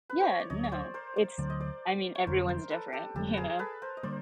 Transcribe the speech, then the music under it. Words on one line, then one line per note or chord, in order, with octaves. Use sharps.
Yeah, no, it's I mean, everyone's different, you know?
B4
C5
C#5
D5
D2 D3 F#3 C#5 D#5
C#5
C5 D5
A#4 C5
C5 D5
D2 D3 F#3 D5
D#5
C5 D5
C#5
F1 F2 D3 F#3 A#4 C5
A#4 C5
A4 B4
G4 A4
F1 F2 D3 F#3 G4 A4
G#4 A#4 B4
A4 B4
A#4 C5
D#5
D3 G3 A#3 C5 D5